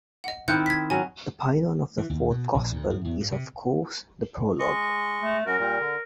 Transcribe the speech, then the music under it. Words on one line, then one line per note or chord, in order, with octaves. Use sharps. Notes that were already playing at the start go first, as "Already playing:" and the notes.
The pylon of the Fourth Gospel is of course the prologue.
D#5 F#5
D#3 C4 E4 F#6 G6 C#7
G#6 B6
F#3 C#4 G#5
E3
D#2
B2
A#1
D2
F#2
E2
G2
C3
G#3 D#5 C#6
A3
F#2 F#4 A#4
A#2 G3
D3